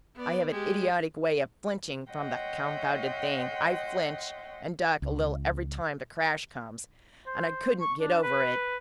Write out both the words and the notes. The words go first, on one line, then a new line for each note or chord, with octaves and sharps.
I have an idiotic way of flinching from the confounded thing--I flinch and duck a little every time the crash comes, and I couldn't get over it.
B3 D5
G#3 G4
C#5 D#5 E5 F#5 G5 C6
C#2
C5
C#6
D4
B4